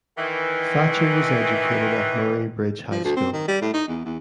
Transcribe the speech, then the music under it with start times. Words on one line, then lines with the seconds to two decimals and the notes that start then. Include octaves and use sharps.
Thatcher was educated at Murray Bridge High School.
0.18 D#3 E3
2.91 F3
3.04 D2
3.16 C4
3.33 D#3
3.48 G3
3.62 A2
3.73 D#4
3.87 E2
4.05 E2